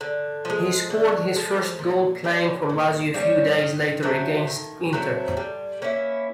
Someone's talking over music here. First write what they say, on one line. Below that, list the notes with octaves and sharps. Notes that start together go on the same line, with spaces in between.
He scored his first goal playing for Lazio a few days later against Inter.
D3
F3 G#3
D3
F3 G#3
A#2
G3 A#3 C#4
A#2
G3 A#3 C#4
D#3
F#3 A3 C4
D#3
F#3 A3 C4
G3
A#3 C#4 E4